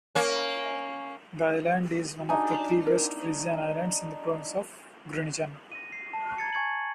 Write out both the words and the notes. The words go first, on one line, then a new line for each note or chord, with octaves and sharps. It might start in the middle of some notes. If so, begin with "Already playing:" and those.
The island is one of three West Frisian Islands in the province of Groningen.
A#3 C#4
D4 D#4 F#4 G#5
E4 A#4
A#6 D#7
C7
A5
A#5 G#6 A6 C#7
G#5 C#6 G#6 C#7 F#7